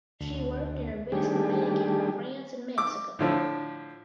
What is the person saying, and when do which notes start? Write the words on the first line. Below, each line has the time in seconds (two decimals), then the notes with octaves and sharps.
She worked in investment banking in France and Mexico.
0.20 D2
1.12 D#3 G3 A3 D4 G4 G#4
2.78 D6
3.19 A2 D3 F3